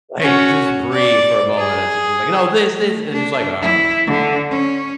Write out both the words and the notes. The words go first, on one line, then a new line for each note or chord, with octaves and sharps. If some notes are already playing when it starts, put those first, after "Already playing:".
Like, just breathe for a moment. It's just is like, "You know, this, this!" It's just like, "Oh my god."
C#4 F#4
D5
G#4
A3
D4
E4
D3
C#4